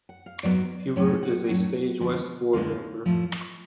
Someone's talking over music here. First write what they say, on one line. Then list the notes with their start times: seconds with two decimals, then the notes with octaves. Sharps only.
Huber is a Stage West board member.
0.09 F#5
0.26 F5
0.43 G#2 F#3 B3 D5
0.96 A2 F#3 C#4 C#5
1.23 F#5
1.48 A2 F#3 C#4 F#5
2.00 D2 D3 F3 G#3 B3
2.53 D2 D3 F3 G#3 B3 F5
3.06 A2 F3 A3